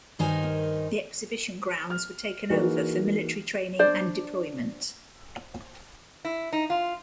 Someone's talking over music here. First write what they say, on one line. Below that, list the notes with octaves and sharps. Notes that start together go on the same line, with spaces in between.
The Exhibition Grounds were taken over for military training and deployment.
G2 D#3 D#4 A#4 C5 G#5
F6
E3 A#3 D#4 F#4 G#4 B4
D4 C5 D5
E4
D#4
F4